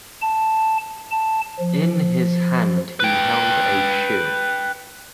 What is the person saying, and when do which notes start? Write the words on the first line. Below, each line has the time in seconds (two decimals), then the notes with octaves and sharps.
In his hand he held a shoe.
0.22 A5
1.11 A5
1.60 F3
3.00 B4 G5